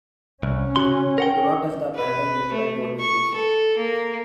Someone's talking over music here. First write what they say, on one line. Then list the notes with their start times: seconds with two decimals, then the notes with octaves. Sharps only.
Do not touch the apparatus before I told you to do so.
0.43 C2 C#4
0.76 C#3 F#4 C6
1.18 A#4 F#5 G5
1.96 B4
2.53 A3
3.00 C#6
3.35 A4
3.77 A#3